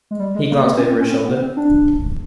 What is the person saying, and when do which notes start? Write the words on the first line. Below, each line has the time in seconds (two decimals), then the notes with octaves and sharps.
He glanced over his shoulder.
0.11 G#3
0.20 G3
0.35 G#3
0.51 A#3
0.65 C4
0.77 C#4
0.89 C4
1.00 C#4
1.11 C4
1.26 B3
1.41 C4
1.57 D4